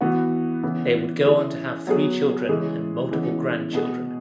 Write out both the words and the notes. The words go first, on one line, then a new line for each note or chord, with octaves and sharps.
They would go on to have three children and multiple grandchildren.
E3 B3 F#4
C#3 E3 B3
E3 C#4 E4 G#4
F#3 B3 G#4
C#3 E3 G#3 C#4 G#4
C#3 E3 G#3 B3
B2 B3 G#4